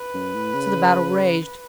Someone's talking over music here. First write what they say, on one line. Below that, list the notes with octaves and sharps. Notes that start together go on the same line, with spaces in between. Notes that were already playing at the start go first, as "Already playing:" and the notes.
So the battle raged.
Already playing: B4
F#2
A2
C#3